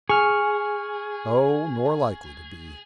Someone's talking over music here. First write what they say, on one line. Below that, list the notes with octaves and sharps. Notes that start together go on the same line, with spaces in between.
No; nor likely to be.
G#4 C#6 F6